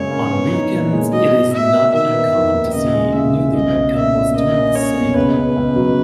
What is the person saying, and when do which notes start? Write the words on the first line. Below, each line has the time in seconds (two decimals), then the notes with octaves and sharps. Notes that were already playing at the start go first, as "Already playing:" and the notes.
On weekends it is not uncommon to see newlywed couples doing the same.
Already playing: F#2 C#3 G#3 A#3 C#5
0.11 C#4
0.32 B3
0.52 D#4
0.72 A#2
0.92 G#3
1.12 F#3 D#5
1.32 B2
1.53 B2 E5
1.73 A#3
1.93 D#3 E5
2.13 B3
2.34 D#3
2.54 D#2
2.73 C#3 D#5
2.94 G#3
3.14 C#3 E5
3.35 C#3
3.54 B1 D#5
3.75 B1
3.95 A#2 E5
4.15 A#2
4.35 A#3 D#5
4.56 C#4
4.75 C#4 C#5
4.96 B2
5.16 C#2 B4
5.37 C#2
5.56 C#2
5.76 F#3